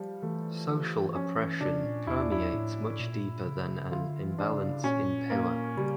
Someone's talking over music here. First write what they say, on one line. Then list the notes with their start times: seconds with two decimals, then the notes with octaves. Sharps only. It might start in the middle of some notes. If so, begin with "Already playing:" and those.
Social oppression permeates much deeper than an imbalance in power.
Already playing: F3 G3
0.22 E3 A3
1.15 F3 C#4
1.38 E3
1.61 C#3 D4
1.84 A#2
2.07 E2 E4
2.20 D4
2.32 E4
2.53 A2
3.00 A#2
3.46 C#3
3.92 D3 F4
4.22 E3
4.38 D4
4.54 C#3
4.84 A#2 C#4
5.30 A#3
5.77 C#3 G3